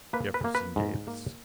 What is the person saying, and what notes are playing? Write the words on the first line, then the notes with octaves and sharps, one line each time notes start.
"Jefferson Davis."
A#3 B4
B4
A#3
B4
G#2
A#3